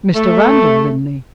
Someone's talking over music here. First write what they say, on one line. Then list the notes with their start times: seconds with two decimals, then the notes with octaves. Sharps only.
"Mr. Randal Linley."
0.15 A3